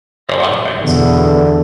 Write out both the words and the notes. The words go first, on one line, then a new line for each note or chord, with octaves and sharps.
A lotta things.
E2 B2 D3